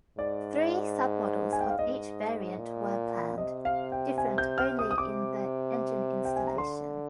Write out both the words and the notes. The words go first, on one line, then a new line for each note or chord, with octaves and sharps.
Three sub-models of each variant were planned, different only in the engine installation.
G#2 D5
G#5
G5
F5
G#2 D#5
A#2
C3 D#5
F5
G5
G#5
G6
F6
D#6
D#6
C3 D6
G5
G#5
A#5
D3 C6